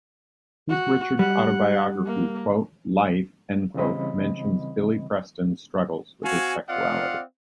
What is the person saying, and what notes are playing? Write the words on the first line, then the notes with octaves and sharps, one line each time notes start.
Keith Richards' autobiography, "Life", mentions Billy Preston's struggles with his sexuality.
F#4
G3 F#5
A#3
C#3 E3 G3 C4 D#5 B5
C4 F#4 F5 G#5
C4 F4 D5 D#5 F5 F#5